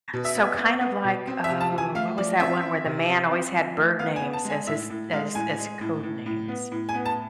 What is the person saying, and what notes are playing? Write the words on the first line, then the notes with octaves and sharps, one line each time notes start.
So, kind of like Oh what was that one where the man always had bird names as his as as code names?
B2
E5
B3
B3
B3
B2
C4
E5
C3
A5
F3
G#5
A3 F5
F3 D5
C4 E5
C4
C3
C4
C4
F3
A3
B3 F5
G#5
B3
A5
G#3
G#5
A2 E5
A2
G#3 F5
A2 G#5
G#3
A2
A2
A2
B3
A2
G#5
B3
A5